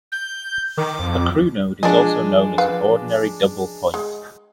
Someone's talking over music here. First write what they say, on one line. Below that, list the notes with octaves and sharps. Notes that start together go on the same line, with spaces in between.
A crunode is also known as an "ordinary double point".
G6
D#3 D6
F2
F3 G#3 D4 D5 D#5 G#5
B4 F5
G#3